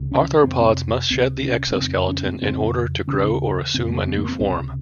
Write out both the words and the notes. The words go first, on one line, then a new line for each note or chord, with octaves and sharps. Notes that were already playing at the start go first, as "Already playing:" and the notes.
Arthropods must shed the exoskeleton in order to grow or assume a new form.
Already playing: C#2 C3
C#4
F2 C3 C4
C4
C#2 C3 C4
C#4
C#4
F2 C#3 C4
C#4
C4
F2 C#3 C4
D#2 C#3 C#4
F2 C#3 C4
A#3
C4
A#3
C4
C#2 C3 C4